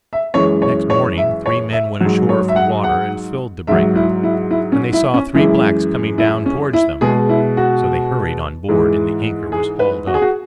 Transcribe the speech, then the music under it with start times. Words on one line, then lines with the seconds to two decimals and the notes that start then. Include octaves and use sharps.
Next morning three men went ashore for water and filled the breaker, when they saw three blacks coming down towards them; so they hurried on board, and the anchor was hauled up.
0.13 E5
0.34 F#2 E3 G#3 C#5
0.62 C#5
0.90 C#5
1.18 E5
1.46 C#5
1.73 E5
2.00 G#2 F#3
2.29 C#5
2.48 E5
2.56 F#5
2.84 F#5
3.67 G#2 F#3 E5
3.95 E4
4.23 E4
4.51 E4
4.72 C#4
4.93 E4
5.14 C#4
5.34 F#2 E3 G#3 E4
6.18 E4
6.46 C#4
6.73 E4
7.01 B2 G#3 G#4
7.29 E4
7.57 F#4
8.68 G#2 E3 G#3
9.52 G#4
9.80 B4
10.07 F#4
10.14 G#4
10.22 F#4